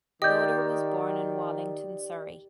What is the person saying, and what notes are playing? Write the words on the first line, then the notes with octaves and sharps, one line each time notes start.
Loader was born in Wallington, Surrey.
D#3 G4 D5 D#5 D#6 G6